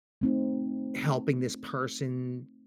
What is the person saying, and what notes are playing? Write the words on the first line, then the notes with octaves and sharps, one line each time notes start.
helping this person
A3 C4 D#4